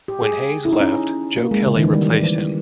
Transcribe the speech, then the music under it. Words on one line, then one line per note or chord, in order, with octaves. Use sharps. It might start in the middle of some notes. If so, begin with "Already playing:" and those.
When Hays left, Joe Kelly replaced him.
G4
G#4
E4
D#4
C#4
A#3
G#3
C#3
D#3
E3
G3
E3
E3